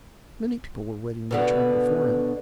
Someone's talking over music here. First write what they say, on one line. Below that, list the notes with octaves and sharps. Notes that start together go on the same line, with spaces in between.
Many people were waiting their turn before him.
B2 D3 B3